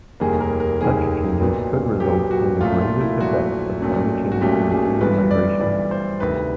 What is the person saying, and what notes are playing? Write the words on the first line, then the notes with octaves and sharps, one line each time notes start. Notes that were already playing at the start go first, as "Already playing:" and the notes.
Such changes could result in the gravest effects of climate change through human migration.
F1 D#2 D#3 G3 A#3 G#4
A#4
A#4
F1 D#2 D#3 G3 A#3 G#4
B1 A#2 F#3 B3
B1 A#2 F#3 B3 G4
F#4
A#1 A#2 F#3 A3 F4
F4
E4
A#1 A#2 F#3 A3 F#4
B1 A#2 F#3 A3 C#4
F#4
B1 A#2 F#3 A3 C#4 G4
G#4
G1 G2 E3 B4
D5
G1 G2 E3 D5
C5
D2 C3 D#3 B4